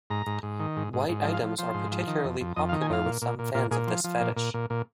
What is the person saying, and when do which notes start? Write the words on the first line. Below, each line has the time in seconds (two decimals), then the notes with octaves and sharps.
White items are particularly popular with some fans of this fetish.
0.10 G#2 A#5
0.26 G#2
0.43 G#2
0.60 D#3
0.77 G#2
0.93 G#2
1.09 G#2
1.25 F3
1.34 F5
1.42 F3
1.58 F3 C5
1.74 G#2
1.91 F3
2.07 D#3
2.24 F2
2.41 F2
2.56 F2 D#5
2.69 F5
2.72 D#3
2.82 G#5
2.90 F2 F5
3.06 A#2
3.22 A#2
3.39 A#2
3.54 A#2 F4
3.71 A#2 G#4
3.87 F3
4.04 F3
4.21 A#2
4.36 A#2
4.54 A#2
4.70 A#2